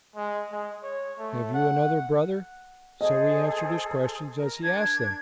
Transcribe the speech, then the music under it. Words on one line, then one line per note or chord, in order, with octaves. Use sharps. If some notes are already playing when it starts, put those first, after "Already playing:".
Have you another brother?' So we answered his questions as he asked them.
G#3
G#3
C#5
A3
F#5
G#4 A4 C5 D#5
A#4
D4 G#6